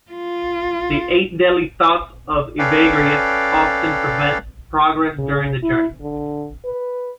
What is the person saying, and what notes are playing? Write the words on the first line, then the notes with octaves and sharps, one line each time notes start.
The Eight Deadly Thoughts of Evagrius often prevent progress during the journey.
F4
C#4 A4 B4 D5 F5 G5
C#3
E4
D3
B4